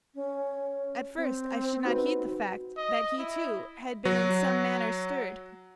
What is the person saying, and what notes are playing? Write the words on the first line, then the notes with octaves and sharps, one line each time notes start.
At first I should not heed the fact that he, too, had been in some manner stirred.
C#4
C4
D#4 F#4 B4
D#5
E4
F#3 F#4